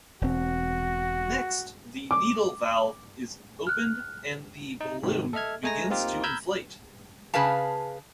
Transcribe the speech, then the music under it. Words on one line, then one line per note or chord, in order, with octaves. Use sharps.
Next, the needle valve is opened and the balloon begins to inflate.
E1 C4 F#4
D6
F6 F#6
D#4
G#2 C3 D#3
A4 D#5 E5 F6 G#6
G#3 A3 G#5 A#5 A#6
A#3 C4 D#4 F4 G4 A#4
A#5 B5 E6 F6 G6 G#6
C#3 G#4 B4 F5 A5